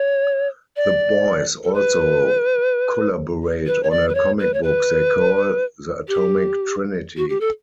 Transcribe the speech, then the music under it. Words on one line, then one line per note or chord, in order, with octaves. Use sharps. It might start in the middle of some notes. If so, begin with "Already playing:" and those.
The boys also collaborate on a comic book they call "The Atomic Trinity".
Already playing: C#5
D5
A4
B4
B4
C#5
D5
B4
C#5
B4
C#5
B4
G4
F#4
G4
A4